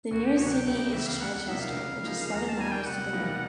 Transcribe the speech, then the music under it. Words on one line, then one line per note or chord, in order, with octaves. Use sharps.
The nearest city is Chichester, which is seven miles to the north.
D2 F#4
G4
C3 D#3 F#3 C#5
F#5
G5
C#2 G5
C#3 E3 E5
F5
E2 F#5
F#5
C3 F3 A#3 D#4 E5
F5
C#3
F3 A#3 D#4 G#4
D#2
A#5
A5
D#3 G3 G#5
G5
C2 F#5
B2 G3 A#3 D#4